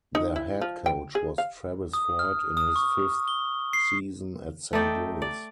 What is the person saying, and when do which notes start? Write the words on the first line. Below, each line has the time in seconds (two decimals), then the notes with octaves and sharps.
Their head coach was Travis Ford in his fifth season at Saint Louis.
0.15 D#4
0.36 E4
0.61 F3
0.86 G5
1.15 G#4
1.38 F5
1.93 D#6
2.19 F6
2.57 D#6
2.76 C#6
3.28 G7
3.73 C7
4.73 A3 D#4 D5 G5
5.22 D5